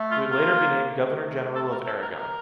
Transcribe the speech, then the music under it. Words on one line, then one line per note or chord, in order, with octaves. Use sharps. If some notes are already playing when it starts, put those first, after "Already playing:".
He would later be named Governor General of Aragon.
Already playing: A3
F4
A#3 F4
A3
A4
A#4
A4
A#4
A#4